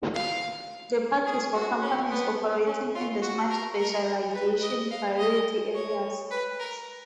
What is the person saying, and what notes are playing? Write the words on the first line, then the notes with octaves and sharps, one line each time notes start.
The Park is for companies operating in the smart specialization priority areas.
F5
G#4
F#4
C#4
B3
C#4
F4
F#4
A#4
A#4
B4
D#5
F5
D#5
C#5
B4
A#4